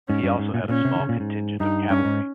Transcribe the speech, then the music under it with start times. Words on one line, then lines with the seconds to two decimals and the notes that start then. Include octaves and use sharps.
He also had a small contingent of cavalry.
0.09 G#2 C#4
0.24 G2
0.39 G#2
0.54 A#2
0.63 G#2
0.69 A#2 C#4
0.85 C3
0.95 D#3
1.00 C#3
1.09 A#2
1.20 G#2
1.60 G2 D#4
1.90 G2 C#4
2.05 G#2